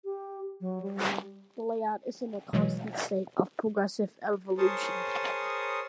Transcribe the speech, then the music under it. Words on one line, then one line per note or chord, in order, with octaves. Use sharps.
The layout is in a constant state of progressive evolution.
G4
F#3
G3
B2 E3 F#3 G#3
G#4 A#4 C5 C#5 A5 D#6